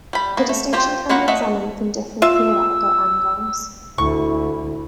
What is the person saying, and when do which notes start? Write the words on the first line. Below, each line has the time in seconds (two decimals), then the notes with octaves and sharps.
The distinction can be examined from different theoretical angles.
0.13 G3 B5
0.37 A#3 B3
0.49 A3
0.73 C4 F4 G4 C5 G5
1.09 F#3 A#3 F4 F#5 B5
1.28 A3 A4 D#5 E5 F#5
2.22 F4 E5 E6
3.98 D2 E4 C#6